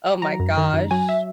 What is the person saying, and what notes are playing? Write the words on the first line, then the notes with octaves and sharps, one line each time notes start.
oh my gosh.
F#3 A#5
F#2
D#3
F#2
F#3 G#5
E5